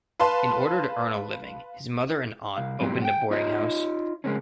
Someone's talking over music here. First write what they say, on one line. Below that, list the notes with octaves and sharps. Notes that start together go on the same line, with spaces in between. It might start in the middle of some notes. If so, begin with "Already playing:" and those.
In order to earn a living, his mother and aunt opened a boarding house.
B4 F5 A5 C6
C2 F5
G#2 B2 F#3 G3 C4
F#5 G5
D#4 F4 C#5 D#5 E5
C#3 G#3 A#3 C4 C#4